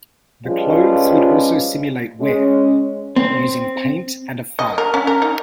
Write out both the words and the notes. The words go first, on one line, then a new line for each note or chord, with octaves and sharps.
The clothes would also simulate wear using paint and a file.
F3 G3 G#3 C#4 F4 B4
G#3 C#4
C4
D#5
A#4
C#4
A#4
D#4